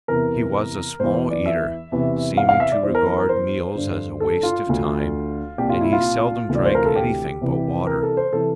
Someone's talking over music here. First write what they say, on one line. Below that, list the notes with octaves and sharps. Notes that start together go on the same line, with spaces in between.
He was a small eater, seeming to regard meals as a waste of time, and he seldom drank anything but water.
E2 C3 E3 A#4
E2 E3 C5
D5
E5
E2 C3 E3
F5
F5
E5
D5
E2 E3 C5
A#4
A#4
A#4
C5
G2 D3
A4
F4
D2 D3
C2 A#2 G4
F4
E4
F4
D2 C3 E3
D5
C5
A#4
A4
G4
C2 C3 E3
A#4
A4
C5
C3 E3 A4